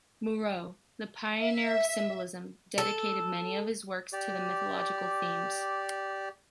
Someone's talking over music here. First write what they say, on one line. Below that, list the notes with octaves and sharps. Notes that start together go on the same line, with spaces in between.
Moreau, the pioneer of symbolism, dedicated many of his works to mythological themes.
E5
A4
G4 D5